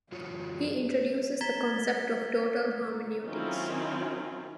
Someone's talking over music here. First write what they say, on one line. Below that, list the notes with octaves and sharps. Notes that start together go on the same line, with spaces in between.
He introduces the concept of 'total hermeneutics'.
F#2 F4 F#4 C#5
A#5 G#6 A6 B6 E7 G7
D#3 F#3 C4 C#4 E4 F4